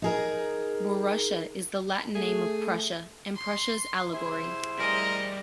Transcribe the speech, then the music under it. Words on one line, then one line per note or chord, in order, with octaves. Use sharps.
Borussia is the Latin name of Prussia, and Prussia’s allegory.
D#4 G#4 A#4
A3 G#4
C6
E4 G#4 C5
G3 G#4 A#4 D#5